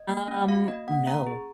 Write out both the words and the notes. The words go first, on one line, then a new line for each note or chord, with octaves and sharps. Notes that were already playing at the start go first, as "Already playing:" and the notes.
Um, no.
Already playing: D#5
A#3
C#4
F#4 F5
A#3 D#5
A#3 F#5
C#4 A#5
G#4